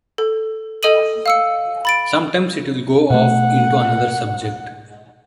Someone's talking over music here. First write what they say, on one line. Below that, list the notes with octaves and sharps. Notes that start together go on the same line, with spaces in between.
Sometimes it’ll go off into another subject.
A4
A4 D#5 D#6 D#7 F#7
F5 E6 C#7
B5 A6 D7
B2 A3 F#5